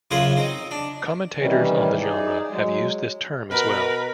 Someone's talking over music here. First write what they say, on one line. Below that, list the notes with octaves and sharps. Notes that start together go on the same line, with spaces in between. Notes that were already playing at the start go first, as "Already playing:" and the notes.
Commentators on the genre have used this term as well.
F#2 C#3 F4 C5 C#5 F#5
C4 D#4
D4
C3 D#3 E3 G3 C#4
D#4 G#4 D5
F#3 G#3
B2 A#4 B4